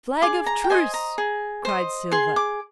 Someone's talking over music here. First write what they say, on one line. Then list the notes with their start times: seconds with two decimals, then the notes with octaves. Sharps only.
"Flag of truce," cried Silver.
0.22 G#4 D6
0.46 A#5
0.64 G5
0.70 C5 D#5 G#5
0.94 A#5
1.18 G#4
1.65 C5 D#5
2.11 G#4 C6
2.36 D6